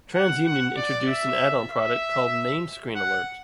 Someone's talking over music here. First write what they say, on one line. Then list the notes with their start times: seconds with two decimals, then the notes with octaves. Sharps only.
TransUnion introduced an add-on product called Name Screen Alert.
0.14 F#5
0.45 F#5
0.76 D5
1.08 E5
1.70 E5
2.95 F#5